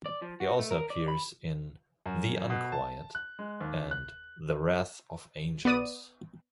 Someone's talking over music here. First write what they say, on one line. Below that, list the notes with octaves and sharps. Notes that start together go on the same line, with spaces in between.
He also appears in "The Unquiet" and "The Wrath of Angels".
D5
F3
F#4
A3
A#4
D5
B5
F#2
B2
A5
F#6
G#3
D#2
F#6
B3 B4 D5 D#6 D#7